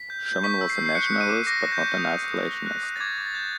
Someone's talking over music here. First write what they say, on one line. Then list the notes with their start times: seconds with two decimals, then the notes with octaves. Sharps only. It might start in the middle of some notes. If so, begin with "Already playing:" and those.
Sherman was a nationalist, but not an isolationist.
Already playing: B6
0.10 G6
0.26 G6
0.43 C#6 B6
0.61 E6
0.70 C7
0.78 G6
0.86 C7
0.95 F#6 C#7
1.12 F#6
1.21 D#7
1.29 D6
1.47 D6 A#6
1.63 F#6
1.72 G6
1.81 D6
1.98 D#6
2.15 D#6
2.32 D#6
2.49 F#6
2.66 F#6
2.83 D#6
2.96 A6
3.00 D6 G#6
3.18 D6
3.26 A6
3.35 G6